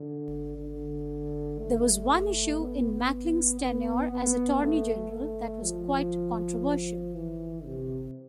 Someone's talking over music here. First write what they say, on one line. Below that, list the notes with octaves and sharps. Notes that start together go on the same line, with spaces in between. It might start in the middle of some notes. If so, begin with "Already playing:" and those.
There was one issue in Mackling's tenure as Attorney General that was quite controversial.
Already playing: D3
D3
A3
B3
B3
B3
A3
A3
F3
E3
C3